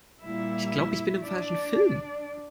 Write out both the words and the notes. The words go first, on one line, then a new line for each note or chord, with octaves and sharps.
Ich glaube, ich bin im falschen Film.
A#2 G3 A#3 E4 E5
D4 D5